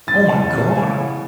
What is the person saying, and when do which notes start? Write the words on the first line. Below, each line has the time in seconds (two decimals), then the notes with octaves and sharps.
Oh my god."
0.07 E3 A6
0.30 C#3
0.53 C#3
0.75 E4
0.98 B3